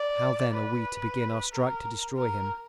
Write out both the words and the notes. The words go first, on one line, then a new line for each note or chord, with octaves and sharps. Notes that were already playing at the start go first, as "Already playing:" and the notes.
How then are we to begin our strike to destroy him?
Already playing: D5
B4
A#4
A#4